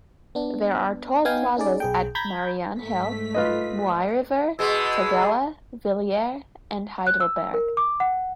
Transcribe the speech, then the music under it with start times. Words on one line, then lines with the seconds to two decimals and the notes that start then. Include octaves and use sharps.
There are toll plazas at Marianhill, Mooiriver, Tugela, Villiers and Heidelberg.
0.35 B3 D4
1.25 B3 D#4 F5 G5 G#5
1.57 C#4 D#4 G#4 D5
1.80 B1 G#4 G5
2.15 A#5 B5 G6 G#6 A#6 B6
2.79 G#2 A3 B6
3.35 F4 B4 D#5
4.59 B2 G#3 E6
7.07 F#6
7.20 E6
7.54 A#4
7.77 D6
8.00 F#5